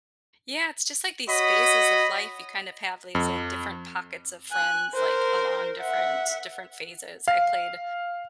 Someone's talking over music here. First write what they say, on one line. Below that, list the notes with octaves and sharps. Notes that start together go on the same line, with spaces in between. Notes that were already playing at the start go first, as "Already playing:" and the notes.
Yeah. It's just like these phases of life. You kind of have these, like, different pockets of friends, like, along different different phases. I played
F#4 C#5 D#5 B5
F2
G#5 F#6
A#4 C5
E5 F#5
F5